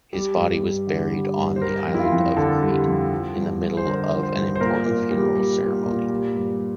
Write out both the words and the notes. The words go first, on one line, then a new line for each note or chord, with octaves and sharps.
His body was buried on the island of Crete in the middle of an important funeral ceremony.
G3
G2
G2
D3
G3
G2
C5
G3 A#4
F2
E4
F4
F2
D3 A4
G3
F2
F3
G2
G2
C5
D3 A#4
F3
C5
G2
C5
A#2 A#4
A#2
G3
G3
A#2
A#2
G3
G2